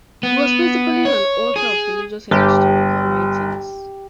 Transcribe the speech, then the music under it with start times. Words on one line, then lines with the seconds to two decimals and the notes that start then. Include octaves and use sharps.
He was principally an author of religious and historical writings.
0.23 B3
1.05 C#5
1.56 G#4
2.31 G1 G4